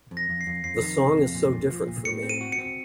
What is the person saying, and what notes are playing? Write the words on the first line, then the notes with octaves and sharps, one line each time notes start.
The song is so different for me.
F2
A#6
F2
C7
F2
F2 C7
D#3
C3
F2
A#2
A#2
F3
A#2
A2 C#7
C4
D#7
F#4
C#7
C4